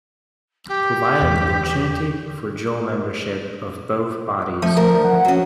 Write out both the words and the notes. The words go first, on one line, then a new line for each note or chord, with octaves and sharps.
Provide an opportunity for dual membership of both bodies.
G4
E2
F3 A3
D2 A#4
F#5
F#3 C#4